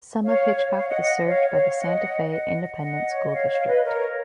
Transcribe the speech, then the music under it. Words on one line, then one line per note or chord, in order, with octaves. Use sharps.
Some of Hitchcock is served by the Santa Fe Independent School District.
C#5 F5
C#5 F5
D#5 F#5
D#5 F#5
C#5 F5
C#5 F5
D#5 F#5
D#5 F#5
D#5 F#5
C#5
D#5
C#5 F5
C#5 F5
B4 D#5
A#4 C#5